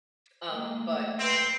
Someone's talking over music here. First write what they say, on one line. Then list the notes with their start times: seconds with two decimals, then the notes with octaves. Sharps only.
Um, but,
0.50 G#3 A#3
0.84 A3
1.19 C4 B4